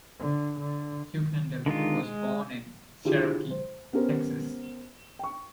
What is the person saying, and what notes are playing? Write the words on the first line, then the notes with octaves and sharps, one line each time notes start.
Kuykendall was born in Cherokee, Texas.
D3
D3
D3 D#3 G#3 F4
G#3
D3 E4 F4 G4 G#4
C5
B3 C#4 G4 A#4 C5
G5 C#6